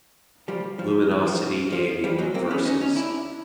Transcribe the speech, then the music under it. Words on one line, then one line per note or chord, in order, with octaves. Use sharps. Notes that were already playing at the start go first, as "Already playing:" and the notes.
Luminosity Gaming vs.
F3 G3
F3
E3
F3
F3
F3 G3
F#3 G#3
A#3 C4
B3 C#4
C#4 D#4
C#4 D#4
D4 E4